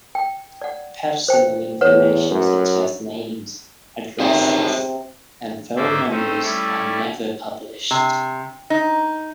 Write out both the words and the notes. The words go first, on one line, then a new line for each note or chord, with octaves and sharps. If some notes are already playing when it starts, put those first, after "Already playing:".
Personal information such as names, addresses, and phone numbers are never published.
G5
D5 F#5
C5 G5
E2 B4 C#5 F#5
F#2
G#1 C3 G#4 C5 E5
G#2 A#3 C#4 C5 D5 E5
A3 C4 C#4 D#4
G3 A3 C#4 E4
C3
D#4